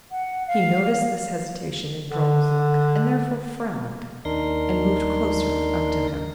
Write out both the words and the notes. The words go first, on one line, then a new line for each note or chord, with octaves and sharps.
He noticed this hesitation in Dron's look and therefore frowned and moved closer up to him.
F#5
F5
D3
D#2 D4 D#4 A#4 C6 A#6